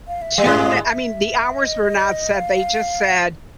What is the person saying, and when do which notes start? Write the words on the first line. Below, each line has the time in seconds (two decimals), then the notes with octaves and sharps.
too man I mean the hours were not set they just said,
0.08 F5
0.22 E5
0.35 G3 F5
0.45 G#2 G#3
0.77 F5
0.83 E5
1.59 D#5
2.35 F5